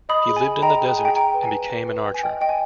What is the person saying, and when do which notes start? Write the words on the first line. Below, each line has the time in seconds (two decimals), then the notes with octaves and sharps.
He lived in the desert and became an archer.
0.09 D#5 B5 D#6
0.28 G#4
0.36 G#5 B5
0.45 G#4
0.62 D#5 G5 A#5
0.81 G#4
0.89 G5
0.98 G#4 G#5
1.05 G5
1.16 G5 A#5
1.34 B4
1.43 G#5
1.51 B4
1.70 B4
1.88 B4
2.04 G5
2.14 G#5
2.23 D#5 G5
2.41 D#5 G5
2.49 G#5